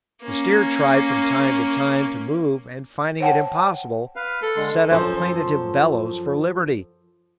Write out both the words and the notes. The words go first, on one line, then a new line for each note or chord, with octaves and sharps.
The steer tried from time to time to move and, finding it impossible, set up plaintive bellows for liberty.
A#3 C#4
C5 C#5 F#5 G5 A5
B4 F5
A4
D3 G#3 C6
F#2 F3 A4 C5